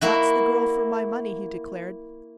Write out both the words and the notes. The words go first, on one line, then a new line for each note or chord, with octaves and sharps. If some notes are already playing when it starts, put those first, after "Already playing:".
"That's the girl for my money," he declared.
A#3 E4 F#4